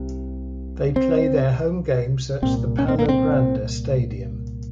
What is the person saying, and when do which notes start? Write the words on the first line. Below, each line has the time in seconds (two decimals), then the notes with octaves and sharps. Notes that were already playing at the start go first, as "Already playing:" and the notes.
They play their home games at the Palogrande stadium.
Already playing: C2 C3
0.96 C4
2.42 C2 A#2 C4
2.79 C#4
2.88 C4
2.99 A#3
3.09 C4